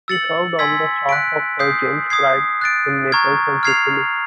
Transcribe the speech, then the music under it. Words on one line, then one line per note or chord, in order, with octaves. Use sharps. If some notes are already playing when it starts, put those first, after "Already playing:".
He served on the staff of Sir James Craig in Naples and Sicily.
E6 A6 C#7 F#7
G#5 C6 E6 G#6 B6
F#6 B6 D7
D#6 G6 C7
D#6 G#6 C7
F#6 A6 D7
A#5 C#6 F6 G#6
F6 G#6 C7 F7